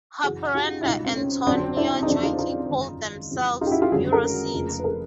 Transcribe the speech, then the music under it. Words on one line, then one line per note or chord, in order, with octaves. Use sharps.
Haparanda and Tornio jointly call themselves "EuroCity".
F#2 C#3 E3 F#4 G#4
F4 G4
E4
C#2 B2 G3 D#4 F4
C4
C#4
G1 F2 C#3 F#3 C4 D4
D4 E4
D#4
E2 C#3 F3 C4 D4
D#4 F4
D#4 F4
G#1 F#2 C#3
F2 C#3 E3 G3 C4
D#4 F4
G4
E4 F#4
F4 G4
G#1 F#2 D3 G3 F#4 G#4
G#4 A#4
F1 F2 C#3 F3 A#3
B4
G#4 A#4